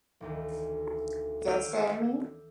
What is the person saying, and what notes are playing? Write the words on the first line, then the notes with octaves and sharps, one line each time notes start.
Just tell me.
E1 D2 D#3
D6 E6 F6 G6 D7 D#7